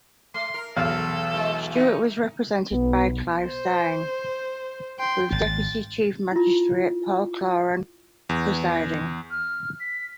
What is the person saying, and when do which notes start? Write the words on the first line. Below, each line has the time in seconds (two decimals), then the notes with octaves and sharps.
Stewart was represented by Clive Steirn, with Deputy Chief Magistrate Paul Cloran presiding.
0.34 A3 C6
0.54 A#4
0.76 B1 E2 A4 F5
1.33 E3 G#3
1.73 E3 D#4
2.71 B1 B3
3.44 C5
4.99 G5 C6
5.32 G#1 A6
6.32 E4 F4
8.29 E2
9.31 F6
9.80 B6